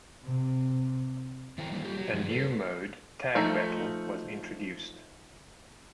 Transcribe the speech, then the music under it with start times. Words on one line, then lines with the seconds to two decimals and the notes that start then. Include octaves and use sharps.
A new mode, Tag Battle, was introduced.
0.24 C3
1.58 D#3 A3 E4 C5 G5 A#5
1.71 G3 A#3 D#4
1.84 F4 G4
1.97 F#3
2.13 G2 D#3 F3 G#3
2.29 A4 B4
3.35 F3 A3 D#4 A#5